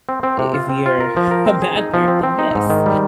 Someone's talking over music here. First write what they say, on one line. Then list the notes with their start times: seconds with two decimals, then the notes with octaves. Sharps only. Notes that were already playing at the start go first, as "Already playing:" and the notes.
I if you're a bad parent, then yes.
0.09 C4
0.23 C4
0.39 C3
0.54 F4
0.69 C4
0.86 F4
1.01 A#4
1.17 F3
1.31 A#4
1.46 C4
1.62 G#4
1.77 D#4
1.94 F3
2.08 C4
2.23 C4
2.39 D#4
2.55 G#2
2.70 D#3
2.86 G3